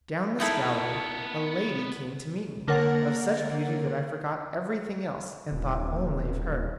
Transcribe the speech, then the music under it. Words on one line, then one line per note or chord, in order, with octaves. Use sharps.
Down this gallery a lady came to meet me, of such beauty that I forgot everything else, and thought only of her.
B3 D#4 E4 A4 A#4
D3 A#3 A#4 C#5 F#5 A6
D#1